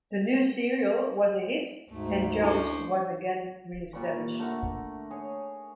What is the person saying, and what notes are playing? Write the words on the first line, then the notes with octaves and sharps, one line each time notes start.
The new serial was a hit, and Jones was again re-established.
D2 G#2 A3
C#4 D4 E4 A4 C5
A#2 G3 B5 C#6
D3 A3 A#4 F#5
G#4 C#5